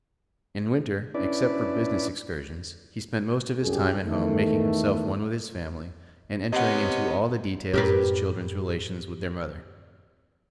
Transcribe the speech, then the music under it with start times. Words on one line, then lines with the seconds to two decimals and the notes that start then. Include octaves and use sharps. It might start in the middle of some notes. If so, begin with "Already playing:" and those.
In winter, except for business excursions, he spent most of his time at home making himself one with his family and entering into all the details of his children's relations with their mother.
1.14 C#4 D4 E4 B4 D5
3.63 C2 F#2 G4 G#4
4.04 E2 D#3 A3
6.52 C3 B3 C#4 D#5 F#5
7.74 F#2 A2 G4 A#4 B4